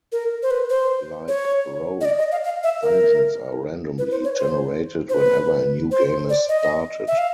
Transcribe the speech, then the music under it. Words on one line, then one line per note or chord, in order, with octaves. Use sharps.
Like "Rogue", dungeons are randomly generated whenever a new game is started.
A#4
C5
B4
C5
C#5
D#5
D5
D#5
F5
F5
E5
A#4
B4
C5
C#5
C5
C5
B4
C5
D5
D#5
E5
F5